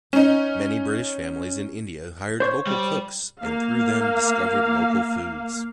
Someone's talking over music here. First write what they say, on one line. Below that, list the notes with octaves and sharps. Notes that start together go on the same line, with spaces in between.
Many British families in India hired local cooks, and through them discovered local foods.
C#4 D#4
C5 C#5
G3
A#3 F5